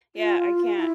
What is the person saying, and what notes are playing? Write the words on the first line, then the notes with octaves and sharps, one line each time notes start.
yeah I can't,"
F4
F4
F4
E4